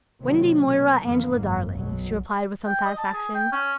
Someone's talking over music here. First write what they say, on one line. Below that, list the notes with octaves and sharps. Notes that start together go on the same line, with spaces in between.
"Wendy Moira Angela Darling," she replied with some satisfaction.
C3 D#3 F#3 A#3
B2 D#3
F2 A2 D3 E3 A#3
G#1 F#2
B1 F#2 B2 F#3
G5
D#5
A5
G#4
G5
C#4